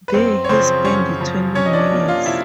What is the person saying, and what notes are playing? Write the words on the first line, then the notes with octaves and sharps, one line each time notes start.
There he spent twenty more years.
B4
F#2 C4 C5
C#5
C#3 F3 C4 C5
F#2 C#4 C#5
C#3 F3
C3 C#4 C#5
D#5
D4 D5
F3 A#3
F4 F5
C3 E4 E5